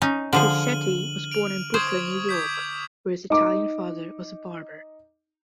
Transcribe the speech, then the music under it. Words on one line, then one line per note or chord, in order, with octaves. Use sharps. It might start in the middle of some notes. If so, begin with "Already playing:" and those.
Fischetti was born in Brooklyn, New York, where his Italian father was a barber.
C#4 D#4
D3 F3 G#4 F6 D#7 F#7
D7 F7
C5 C#6 D#6 G#6
D6 G6 B6
D#4 D6